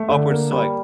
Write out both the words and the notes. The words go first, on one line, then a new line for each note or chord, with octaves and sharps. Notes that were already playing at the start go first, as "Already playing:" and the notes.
upwards to, like,
Already playing: A3
D3
A#3
G3